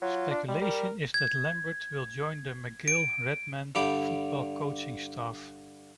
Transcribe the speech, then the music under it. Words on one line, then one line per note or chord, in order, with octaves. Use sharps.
Speculation is that Lambert will join the McGill Redmen Football coaching staff.
F#3 F4
D4
G3 G#3
G3 A#4
G#6
D7
G2 D3 G4 G5 B5 D6